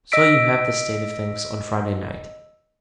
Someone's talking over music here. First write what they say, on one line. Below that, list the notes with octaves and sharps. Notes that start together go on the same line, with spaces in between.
So you have the state of things on Friday night.
D#5 E6 B6 D7